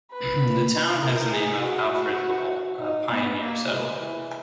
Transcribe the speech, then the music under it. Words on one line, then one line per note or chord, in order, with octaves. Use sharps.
The town has the name of Alfred Labolt, a pioneer settler.
B4
A#4
G#4
F#4
F#4
D#4
B3
A#3
G#3
E3